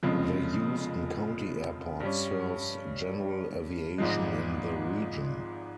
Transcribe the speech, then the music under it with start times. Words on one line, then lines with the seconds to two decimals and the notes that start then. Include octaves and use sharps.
The Houston County Airport serves general aviation in the region.
0.03 F1 F2 C#3 F3 G#3
2.00 G2 G3 C#4
3.98 G#1 G#2 F3 G#3